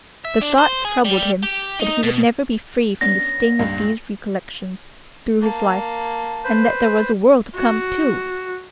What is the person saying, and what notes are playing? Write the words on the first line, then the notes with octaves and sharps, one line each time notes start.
The thought troubled him that he would never be free from the sting of these recollections through his life, and that there was a world to come, too!
E5
D4
C5
G#4
G3
G4
D#4
B2
B3 C#4 D4 A#6
C#2 G2 A#2
A#3 A5
B4 C5
F#4